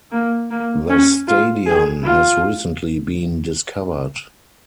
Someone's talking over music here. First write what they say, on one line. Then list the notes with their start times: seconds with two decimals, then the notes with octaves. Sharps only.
The stadion has recently been discovered.
0.12 A#3
0.51 A#3
0.90 C#4
1.28 F4
1.66 G#4
2.05 F4